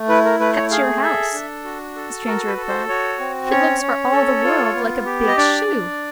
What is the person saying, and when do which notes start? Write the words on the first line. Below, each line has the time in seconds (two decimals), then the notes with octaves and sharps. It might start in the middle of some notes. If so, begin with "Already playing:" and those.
"At your house," the stranger replied; "it looks for all the world like a big shoe!"
Already playing: A3
0.08 E4 B4
0.25 A#4
0.40 A3 B4
0.55 C#5
0.71 G#4 F5
1.02 A4 E5
1.33 D4
1.64 F#4
1.96 A4
2.26 F#4 A#4
2.47 B4
2.57 A4
2.68 C5
2.88 F#4 C#5
3.19 C4
3.50 C#4 C#5
3.81 C#4
4.12 A4
4.44 F4
4.75 B3
5.05 G4
5.27 D#5
5.37 D4 D5
5.67 D4